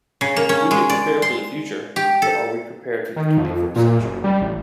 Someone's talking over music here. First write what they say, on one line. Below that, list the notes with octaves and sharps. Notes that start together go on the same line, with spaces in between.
We can prepare for the future, but are we prepared for the twenty-first century.
C#3
A#3
C#4
G#3
D5
C6
G4
A4
D#3
F2
A#2
F#1
G3
A1